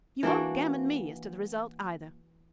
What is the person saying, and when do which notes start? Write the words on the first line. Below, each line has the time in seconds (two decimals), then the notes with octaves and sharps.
You won't gammon me as to the result, either.
0.23 E3 A#3 D4 F#4